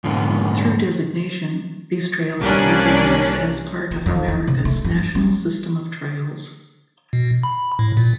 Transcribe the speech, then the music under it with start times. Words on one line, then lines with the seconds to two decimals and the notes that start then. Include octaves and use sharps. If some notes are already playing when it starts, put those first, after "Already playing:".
Through designation, these trails are recognized as part of America's national system of trails.
0.04 F2 G#2 D3 A#3 B3
2.39 C2 G3 A#3 C#4 D4 F#6
3.91 E3
4.06 F2
4.28 E4
4.47 C3
4.65 A3
4.84 G2
5.15 G3
7.13 B2
7.43 B5
7.79 A2
7.97 A#2